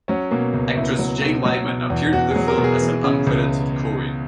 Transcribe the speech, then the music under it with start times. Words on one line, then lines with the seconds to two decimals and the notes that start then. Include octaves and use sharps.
Actress Jane Wyman appeared in the film as an uncredited chorine.
0.08 F#3 C#4
0.31 B2 A#3
0.54 C#2
0.77 C#2 E4
0.99 F#3
1.22 B2
1.45 F#3
1.68 B2
1.90 E2
2.13 E2 F#4
2.31 F#3 G#4
2.48 A#4
2.58 B2
2.64 G#4
2.81 E3
3.04 C#3
3.27 C#2